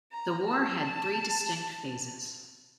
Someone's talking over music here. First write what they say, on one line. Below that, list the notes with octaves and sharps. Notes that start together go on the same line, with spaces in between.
The war had three distinct phases.
A#5
A5